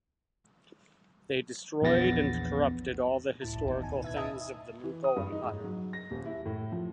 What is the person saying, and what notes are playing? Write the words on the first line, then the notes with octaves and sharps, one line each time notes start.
They destroyed and corrupted all the historical things of the Mughal Empire.
A#1 E2 B3 A6 A#6
C#2 A2 E4 A5
G1 E2
D#2 B2 D#4
G#5
B4 E5 G#6
D#5 E5 G#5 A5 D#6
E3
D#6
G2
D#4
G#2
F#3
A#6
D#1
E4
A2
F3